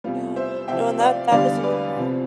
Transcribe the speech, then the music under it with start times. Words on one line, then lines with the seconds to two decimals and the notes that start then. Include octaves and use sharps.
Yeah. No, and that that is even harder.
0.04 E2 C3 G3 F4
0.36 C5 E5
0.68 C2 C3 F3 E5 G5
1.00 D5 F5
1.32 E2 D3 G3 D5 F5
1.63 B4 D5
1.96 C2 C3 F3